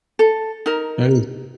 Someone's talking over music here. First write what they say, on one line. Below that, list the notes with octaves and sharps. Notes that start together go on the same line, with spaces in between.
that is.
A4
D#4 A#4